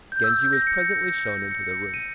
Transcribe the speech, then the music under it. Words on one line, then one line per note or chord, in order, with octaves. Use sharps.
Genji was presently shown into the room.
G6
E6
G6
A#6
C#7
C#7
D#7